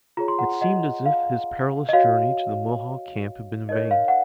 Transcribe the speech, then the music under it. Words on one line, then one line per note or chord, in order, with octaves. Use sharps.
It seemed as if his perilous journey to the Mohawk camp had been in vain.
F4 G#4 C#5 A#5
C6
F#5 A#5
D#5 F#5
F5
D#5
F#4 C#5 F5
D#4 A#4 C#5 D#5
F5
F#5